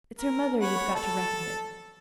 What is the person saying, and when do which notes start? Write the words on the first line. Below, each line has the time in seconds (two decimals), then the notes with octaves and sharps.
It's her mother you've got to reckon with.
0.18 A#4
0.61 C#5 F#5 B5
0.95 A4 A5